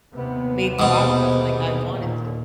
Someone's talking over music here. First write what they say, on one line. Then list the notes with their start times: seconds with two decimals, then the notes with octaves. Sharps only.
made progress like I wanted to."
0.13 D#2 C3 B3
0.79 G#2 B2
1.95 D#2 A#2